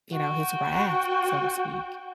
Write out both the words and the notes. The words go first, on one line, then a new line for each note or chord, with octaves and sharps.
you know, his wrath, so to speak.
F#4 G5